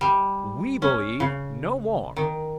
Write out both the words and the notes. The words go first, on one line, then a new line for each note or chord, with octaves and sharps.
We believe no more.
G3
C#4
C#3
D#3